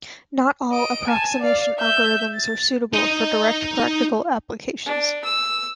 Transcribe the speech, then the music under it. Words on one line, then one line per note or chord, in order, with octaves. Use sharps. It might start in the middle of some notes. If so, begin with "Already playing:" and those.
Not all approximation algorithms are suitable for direct practical applications.
D#5 D7
G#5 A5
D5 F5
E5 G6
A6
D#4 D#5
D4
E6